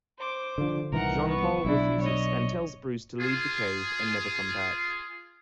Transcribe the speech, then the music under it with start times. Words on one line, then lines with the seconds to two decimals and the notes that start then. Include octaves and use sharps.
Jean-Paul refuses and tells Bruce to leave the cave and never come back.
0.18 C5 D6
0.58 D3 F3
0.92 C2 D#3 E3 A#4 F#5
1.28 B3 C#6
1.65 B1 F3 D4 E4
2.01 C#5 D#5
3.20 F4 G#4